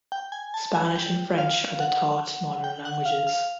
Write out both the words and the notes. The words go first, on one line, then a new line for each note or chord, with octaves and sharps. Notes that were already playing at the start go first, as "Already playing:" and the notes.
Spanish and French are the taught modern languages.
G5
G#5
A5
G#5
G5
F5
F#5
G5
F#5
F5
F5